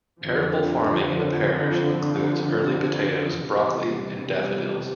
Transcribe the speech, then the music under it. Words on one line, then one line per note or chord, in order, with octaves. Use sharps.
Arable farming in the parish includes early potatoes, broccoli and daffodils.
F2 D3 F3
E2 C3 E3 G3